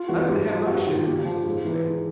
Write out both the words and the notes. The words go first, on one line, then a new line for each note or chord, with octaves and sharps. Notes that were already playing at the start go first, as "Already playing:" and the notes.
"I'm going to have my share!" insisted Sam.
Already playing: F4
C3 E3 F#4
G#2 G4
F3 G4
G2 F#4
D#3 F4
A#2 G4
F3
G#2
E3